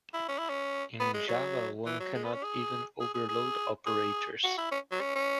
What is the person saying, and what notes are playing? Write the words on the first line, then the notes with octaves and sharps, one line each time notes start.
In Java one cannot even overload operators.
E4
C#4
E4
C#4
B3
G#3
F#3
E3
F#3
G#3
B3
C#4
G#4
G#4
G#4
G#4
G#4
F#4
E4
C#4
F#3
C#4
C#4